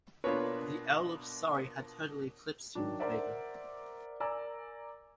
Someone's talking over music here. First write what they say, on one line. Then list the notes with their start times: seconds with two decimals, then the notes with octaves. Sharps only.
The Earl of Surrey had totally eclipsed him in favor.
0.24 B2 A#3 D4 F4 B4 C#5
2.75 D#3 F#3 D4
2.99 A#4 C5 D5 E5 F#5
4.20 A#4 D5 G#5 A#5 E6